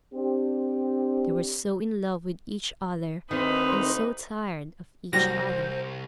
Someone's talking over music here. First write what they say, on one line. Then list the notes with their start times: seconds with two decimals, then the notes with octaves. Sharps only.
They were so in love with each other--and so tired of each other.
0.13 C4 D4 G4
3.31 D2 D#3 C4 D#4 B4
5.13 C2 F#3 G3 C5 A#6